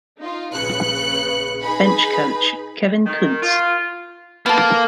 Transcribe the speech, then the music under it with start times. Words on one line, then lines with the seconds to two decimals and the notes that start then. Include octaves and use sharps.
Bench Coach: Kevin Kuntz.
0.18 D#4 F4
0.54 A#1 C#3 B4 F#6 C#7
1.62 D#4 G#4 B4 B5
3.06 D#3
3.42 F4
4.46 A#3 B3 A4